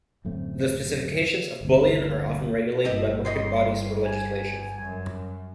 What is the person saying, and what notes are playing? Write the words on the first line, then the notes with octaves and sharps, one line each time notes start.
The specifications of bullion are often regulated by market bodies or legislation.
D1 F#2 A3 C4
G1 D2
G1 G2 E4 G4 D#5
G3 C#5 D#5 C6
G#5
F#2